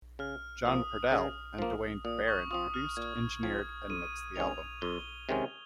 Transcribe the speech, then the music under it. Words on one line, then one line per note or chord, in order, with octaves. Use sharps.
John Purdell and Duane Baron produced, engineered and mixed the album.
C#3 F6
F3 A#3 D#6
C#3
F3 A#3
A#2 D#6
C#6
F3 C4 F4 D#6
F6
A#2 G#6
F3 C4 F4 G#6
F2 D#7
C3 D#3 G#3 C#4 F7
F2 G7
C3 D#3 G#3 C#4